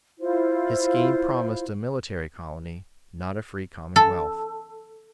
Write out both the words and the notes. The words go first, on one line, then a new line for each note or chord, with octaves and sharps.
His scheme promised a military colony, not a free commonwealth.
E4 F4 C5
A4